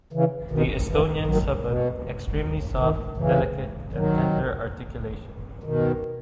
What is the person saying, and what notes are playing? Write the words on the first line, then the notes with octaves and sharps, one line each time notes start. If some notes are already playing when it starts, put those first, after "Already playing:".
The Estonians have an extremely soft, delicate, and tender articulation.
C#3 E3
B2 D#3
C#3 E3
D#3 F#3
B2
B2
C#3
C#3
B2 D#3
C#3 E3
D#3 F#3
B2 D#3